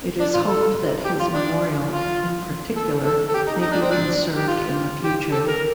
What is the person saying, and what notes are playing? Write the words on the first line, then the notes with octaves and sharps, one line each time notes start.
It is hoped that his memorial, in particular, may be conserved in the future.
D4
F4
A4
G4
F4
D4
F4
A4
A4
A4
G4
D#4
D#4
D4
C4
D4
G4
F4
G4
A4
A#4